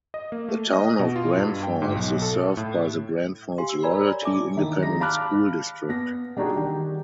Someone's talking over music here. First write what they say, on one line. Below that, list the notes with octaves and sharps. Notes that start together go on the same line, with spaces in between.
The Town of Grandfalls is served by the Grandfalls-Royalty Independent School District.
D#5
A#3
A3
D#5
B2
F4
G2
G5
G#2
B1
A4
A2
G4 F5 G#5 C6
E6
A#4 C#5 D5 G#5 A#5 B5
D5
D4 A4 E5 A5 D6
D#3 D4 E4
G#3 D#4 A#6
F5 A5 B5 D6 F6 F#6
B3 A#6
G3 D4 D#4 F#4 G#4
D#3 G4